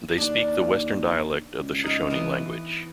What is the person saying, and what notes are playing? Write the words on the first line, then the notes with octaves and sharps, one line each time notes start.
They speak the Western dialect of the Shoshone language.
D#2 D4
C#2
D#4 F5
E3 B3